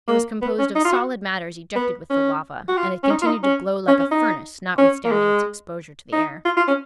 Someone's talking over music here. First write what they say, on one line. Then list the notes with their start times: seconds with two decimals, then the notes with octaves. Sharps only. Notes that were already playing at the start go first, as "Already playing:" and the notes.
It was composed of solid matters ejected with the lava, and it continued to glow like a furnace, notwithstanding its exposure to the air.
0.08 A#3
0.42 B3
0.59 C#4
0.75 D#4
0.84 F4
0.92 F#4
1.75 B3
2.10 C#4
2.68 F#4
2.77 F4
3.03 C#4
3.11 D#4
3.22 F4
3.26 D#4
3.43 C#4
3.88 C#4
3.99 C#4
4.11 D#4
4.78 C#4
5.04 A#3
5.12 G#3
6.13 D#4
6.45 F4
6.57 F4
6.68 C#4